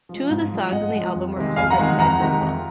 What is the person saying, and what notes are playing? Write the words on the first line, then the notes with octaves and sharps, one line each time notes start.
Two of the songs on the album were co-written by Bisbal.
F3 G#3
G#2
F3 G#3
G#2 D#5 F#5
G#3
F3
F2
C3 D#3 G#3
F2 F5 G#5
F#5 A#5
C3 D#3 G#3
F2 F#5 A#5
C3 D#3 G#3
F2